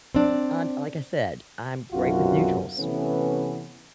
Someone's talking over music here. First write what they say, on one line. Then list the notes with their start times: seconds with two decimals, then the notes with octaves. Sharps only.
Um, like I said, I'm great with neutrals
0.15 C4 D4
1.92 B1 F#2 C3 F4 F#4
2.78 C3 E3 A3 B3 C#4